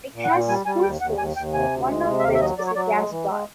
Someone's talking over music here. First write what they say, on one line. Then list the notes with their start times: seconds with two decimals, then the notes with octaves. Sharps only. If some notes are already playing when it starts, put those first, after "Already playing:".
It has two stores, one of which is a gas bar.
0.14 A#2
0.24 F#5
0.31 A#2 G5
0.49 G3 G#5
0.66 G3 G#5
0.83 D#2 G5
1.01 D#2 F#5
1.18 D#2 G#5
1.36 D#2 G5
1.53 C3 G#5
1.71 D2
1.89 G#3
2.06 C3
2.20 E5
2.23 D#2 F5
2.34 E5
2.41 F#3 D#5
2.58 F#3 D5
2.67 C#5
2.75 F#3 D5
2.94 G#3
3.11 E3
3.27 G#3